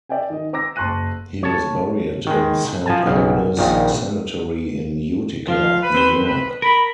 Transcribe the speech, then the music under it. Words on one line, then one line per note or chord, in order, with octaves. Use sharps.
He was buried in Saint Agnes Cemetery in Utica, New York.
D5 E5 G5 G#5
D#3 D#5
C5 A#5 D6 E6 A#6
F#1 A5 C6 C#6 F#6 D#7
C#5 A5
D#3 G#3
F3 G#5 A5
B1 C#3
A#1 A#2 D#3
F3 F5
B4
C4 C5
B4
A#4 B5